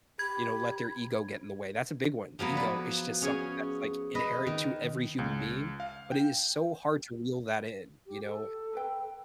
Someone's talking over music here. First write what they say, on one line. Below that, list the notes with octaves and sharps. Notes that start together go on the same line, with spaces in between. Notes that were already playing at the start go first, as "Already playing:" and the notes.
you know, let their ego get in the way. That's a big one. Ego is just something that's, like, inherent to every human being, but, it is so hard to reel that in, you know,
G4 B5 G#6
F3 F#3 A#3 B3
B4 D5
C#4 G#4 C#5 G#5
B4 D#5
D#3
C#2
F5
G5
G4
A4
A#4 B4 G5